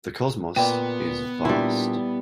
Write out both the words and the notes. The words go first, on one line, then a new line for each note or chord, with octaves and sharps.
The cosmos is vast.
A#2 B3 B4 D5 G5
A#2 G3 D4 E4